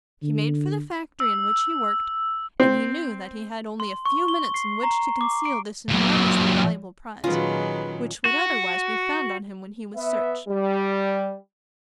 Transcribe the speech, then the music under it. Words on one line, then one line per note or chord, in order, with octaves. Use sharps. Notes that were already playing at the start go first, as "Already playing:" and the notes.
He made for the factory in which he worked, and he knew that he had only a few minutes in which to conceal this enormously valuable prize, which would otherwise be found on him when he was searched.
D3
E6
C4
C6
C#6
G7
C7
A#5
D6
D7
A#2 F#3
A#2 D#3 F#3 G#3 C#4 F4 B4 A#5
F#4
B3 E5
G3